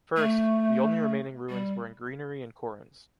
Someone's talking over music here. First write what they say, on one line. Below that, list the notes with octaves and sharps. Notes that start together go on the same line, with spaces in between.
First, the only remaining ruins were in greenery and corons.
A3
G3